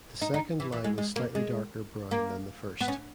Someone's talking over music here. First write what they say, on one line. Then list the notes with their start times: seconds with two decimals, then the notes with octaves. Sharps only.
The second line is slightly darker brown than the first.
0.21 D#4
0.34 D#4
0.60 E3
0.72 E3
0.84 G#3
0.98 G#3
1.16 A#3
1.35 G#3
2.11 A#3
2.81 B3
2.88 C#4